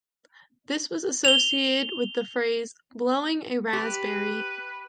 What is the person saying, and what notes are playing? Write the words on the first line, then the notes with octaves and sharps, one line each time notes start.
This was associated with the phrase "blowing a raspberry".
F7 G7
G4 B4